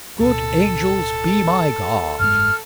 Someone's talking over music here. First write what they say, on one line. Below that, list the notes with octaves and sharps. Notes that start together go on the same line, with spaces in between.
Good angels be my guard!
D1 B2 A4
F#1 G#2 G#3 F6